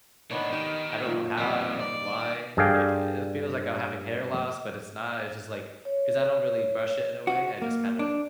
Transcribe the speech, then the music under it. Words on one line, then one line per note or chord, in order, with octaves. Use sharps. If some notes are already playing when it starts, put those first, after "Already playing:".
I don't know how, I don't know why, like i it feels like I'm having hair loss, but it's not, it's just, like 'cause I don't really brush it in a way, I just, kind of
A2 D#3 B3 D4 C#5
D#3 G4
A#2 F#3 C#4
F2 D#3 G3
D5
G2 G#4 A4 D5 F5 G5
C#5
F#4
A#3
D4